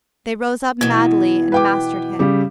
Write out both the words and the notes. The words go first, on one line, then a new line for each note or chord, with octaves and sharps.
They rose up madly and mastered him.
B2 E3 G#6
B4 G5 D6
C#3 G3 G4